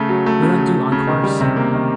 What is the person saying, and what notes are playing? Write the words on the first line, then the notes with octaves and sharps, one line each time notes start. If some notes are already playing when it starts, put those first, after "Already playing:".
We don't do encores.
Already playing: C#3 A3
F#3
A3
C#3
F#3
F#3
C#3
D#3
G3
C3
A#3
D#3